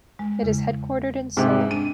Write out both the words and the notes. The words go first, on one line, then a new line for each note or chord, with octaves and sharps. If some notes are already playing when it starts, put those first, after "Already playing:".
It is headquartered in Seoul.
G#3
E2 C#3
G#2 C3 G4
D4 D#7